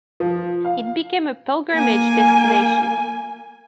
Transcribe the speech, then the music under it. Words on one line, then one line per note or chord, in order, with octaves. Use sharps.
It became a pilgrimage destination.
F3
F5
A#3 G#5